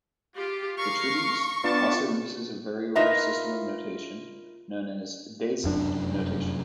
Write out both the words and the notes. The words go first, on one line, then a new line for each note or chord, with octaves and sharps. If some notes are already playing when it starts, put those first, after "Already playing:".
The treatise also uses a very rare system of notation, known as Daseian notation.
F4 G4
A#4 F5 C#6
B3 D4 F4 A5
D#4 F4 A#4 B4 E5 A#5
F1 F#2 D4